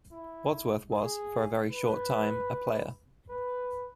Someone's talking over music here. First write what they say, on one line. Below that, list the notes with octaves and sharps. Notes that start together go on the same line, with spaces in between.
Wadsworth was, for a very short time, a player.
E4
G#4
B4
B4